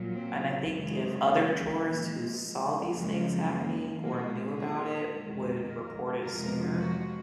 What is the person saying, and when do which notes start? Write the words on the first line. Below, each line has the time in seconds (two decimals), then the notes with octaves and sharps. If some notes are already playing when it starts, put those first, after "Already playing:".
and I think if other tourists, who saw these things happening or knew about would report it sooner,
Already playing: A#2 F#3
0.12 C4
0.69 F#2 C#3 G#3
1.23 A#3
1.79 A#2 F3 G#3 A#3
2.90 F#2 C#3 F3 G#3 A#3
3.46 A#3
4.01 A#2 G#3 A#3
4.57 G#4
5.12 F2 D#3 G#3
5.68 A#4
6.23 F2 C3 F3 G#3 A#4
6.79 F#4